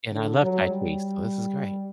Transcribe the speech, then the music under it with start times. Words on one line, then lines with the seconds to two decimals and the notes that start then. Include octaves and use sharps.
And I love Tai Chi, so this is great.
0.13 D3
0.41 F#3
0.70 G3